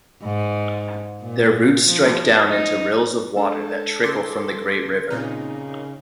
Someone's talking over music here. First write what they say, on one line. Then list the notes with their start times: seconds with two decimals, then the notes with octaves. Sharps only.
Their roots strike down into rills of water that trickle from the great river.
0.23 G#2
1.23 A#2
1.87 F3
2.48 D#4
3.36 G#3 D4 A4
4.04 C#3 C6 D6 E6
5.10 A#2 C#3 C4 D#4